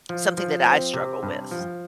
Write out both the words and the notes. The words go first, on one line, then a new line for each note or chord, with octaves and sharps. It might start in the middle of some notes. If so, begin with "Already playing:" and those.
something that I struggle with.
F3
F3
C4
C3
G2
F3